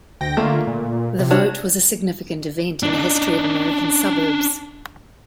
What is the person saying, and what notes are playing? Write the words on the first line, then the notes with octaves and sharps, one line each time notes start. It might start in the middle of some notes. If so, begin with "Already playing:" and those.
The vote was a significant event in the history of American suburbs.
D2 G5 A#6
D3 A3 A#3 F4
A#2
C3
D4 F#4 C#5
D4 D#4